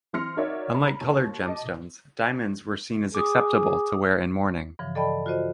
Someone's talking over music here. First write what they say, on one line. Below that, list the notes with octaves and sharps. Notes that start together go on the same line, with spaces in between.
Unlike coloured gemstones, diamonds were seen as acceptable to wear in mourning.
E3 C4 C6 F6 A#6 C#7
D#4 F#4 A#4 C#5 D5 E5
A#5 B5
D#2
D#5 A5 D6
G#4 D6 D#6
G2 C#3 E3 F3
A4 D5 D#5 G5 A5 B5
F4 F#4 C5 D#5